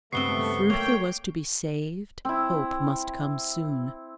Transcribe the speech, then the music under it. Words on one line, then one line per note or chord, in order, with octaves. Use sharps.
If Reuther was to be saved, hope must come soon.
C#2 G2 A3 B3 C4 C#6 C7 G7
A3 A#3 C#5 G5
C4 E4